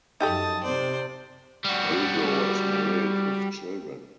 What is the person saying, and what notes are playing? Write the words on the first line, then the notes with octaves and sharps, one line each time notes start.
Bago is married with children.
F#2 D#4 G4 A4 A5 D#6
C3 C5 D5
G3 F#4